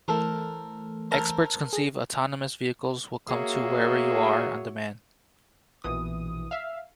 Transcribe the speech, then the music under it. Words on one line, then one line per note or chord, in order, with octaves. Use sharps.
Experts conceive autonomous vehicles will come to wherever you are on demand.
E3 A3 A4 A#4 C5
A4 A#4 C5
G#4 A#6
A#3 F#4 G#4 C#5 E5
A#1 B2 E3 D#6
E5 F5